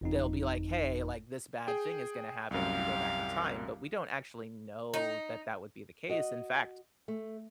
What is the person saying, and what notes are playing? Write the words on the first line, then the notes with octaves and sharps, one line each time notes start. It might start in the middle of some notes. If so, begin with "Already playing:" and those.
they'll be like, "Hey," like, "this bad thing is gonna happen if you go back in time," but we don't actually know that that would be the case. In fact,
G1 F2 D#4
G#4 G5
C2 F#2 G4 F5
D#4
F#4 D#5
A3